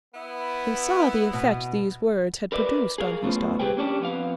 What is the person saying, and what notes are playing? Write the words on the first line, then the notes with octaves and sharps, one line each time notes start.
He saw the effect these words had produced on his daughter.
B3 E4
B2
A#4 B4 D5 E5
G#4 A#4 F5
C#3 A3 B3 C#4 F4 C5
G4 G#4 B4 G5 G#5
A#3 C#4 D4 G4
F2 B3 F4 F5